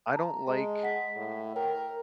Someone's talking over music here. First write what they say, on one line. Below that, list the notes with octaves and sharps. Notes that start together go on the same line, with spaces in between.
I don't like
A5 A#5
G#3
F#5 B6
A2
A#4 G5